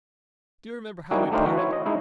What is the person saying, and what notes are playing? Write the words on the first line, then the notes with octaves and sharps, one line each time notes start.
Do you remember how we parted?
G3 A#3 D#4 E4 F#4 G#5
A3 D4 D#4 C5 F5 G5
E3 F#4
E4 C#5
D#5
G#3 D#4 E4